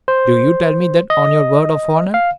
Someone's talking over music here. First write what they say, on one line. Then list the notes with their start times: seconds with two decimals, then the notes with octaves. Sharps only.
"Do you tell me that on your word of honor?"
0.08 C5
1.10 D#5
2.14 F5